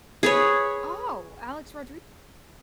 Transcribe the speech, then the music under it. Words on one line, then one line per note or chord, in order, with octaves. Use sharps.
Oh, Alex Rodri
G#4 B4 C#5